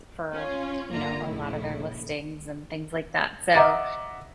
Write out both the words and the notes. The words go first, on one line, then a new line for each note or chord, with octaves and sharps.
for, you know, a lot of their listings and things like that. So,
C#4 F4
G1 D3 A#3 F4 A#5
A#1 D#2 A2 C#3 E4
D#5 E5 F#5 A#5 D6